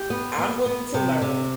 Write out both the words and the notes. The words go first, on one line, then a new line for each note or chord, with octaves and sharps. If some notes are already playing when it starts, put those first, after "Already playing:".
I'm willing to learn,
Already playing: G4
B3
B3
B3
C3
C3